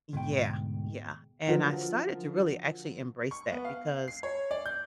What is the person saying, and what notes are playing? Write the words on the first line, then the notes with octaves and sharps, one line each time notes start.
Yeah, yeah, and I started to really, actually, embrace that because
D2 G#2 B2 G5
D3 F3 F#3 A#4
C#6
B3
F5
C7
C#5
D5
G6